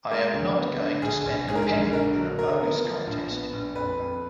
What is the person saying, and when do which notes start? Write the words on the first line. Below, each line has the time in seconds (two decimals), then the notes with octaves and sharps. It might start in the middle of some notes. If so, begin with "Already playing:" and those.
I am not going to spend a penny in a bogus contest.
0.11 G#3 A#4
0.33 D2
0.57 B3
0.80 D3
1.02 A#1 G#4
1.25 A#1
1.47 G#2 G#4
1.55 A#4
1.62 G#4
1.70 A#1
1.93 D3 A#4
2.16 F#3
2.39 D2 A#4
2.62 B3
2.85 F3
3.07 A#1
3.30 B3
3.53 A#1
3.75 F2 B4
3.99 F2